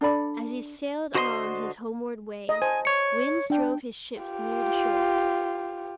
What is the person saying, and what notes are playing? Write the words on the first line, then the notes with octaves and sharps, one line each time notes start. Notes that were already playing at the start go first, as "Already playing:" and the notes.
As he sailed on his homeward way, winds drove his ships near the shore.
D4 A4 D5 B5
D3 F#4 C5 D#5 A#5 C6
D#5
C5 G#5 A5
C#5 C#7
D4 G5
F4 G4